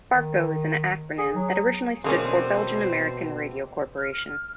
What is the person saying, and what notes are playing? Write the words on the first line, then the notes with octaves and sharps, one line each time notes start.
Barco is an acronym that originally stood for Belgian American Radio Corporation.
D#3
G#4
F#3
B2 D3 E3 G#3 A#3 C4 C#4 C5
F6